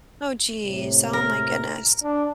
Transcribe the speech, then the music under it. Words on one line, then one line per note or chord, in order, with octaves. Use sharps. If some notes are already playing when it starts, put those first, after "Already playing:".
Oh, jeez. Oh my goodness.
A2 C3
A#4
D4